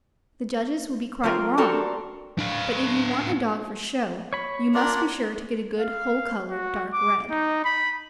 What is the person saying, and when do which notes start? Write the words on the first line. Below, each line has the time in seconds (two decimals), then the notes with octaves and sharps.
The judges would be quite wrong, but if you want a dog for show you must be sure to get a good whole-coloured dark red.
1.23 F#3 C4 F4 A#4
1.58 C4 D4 F#4 G4 A4 A#4
2.39 D4 F5
4.33 C#5 B5
4.74 D4 F4 A#4 D5
5.79 F5
6.50 F#4
6.93 D6
7.31 D#4
7.65 B5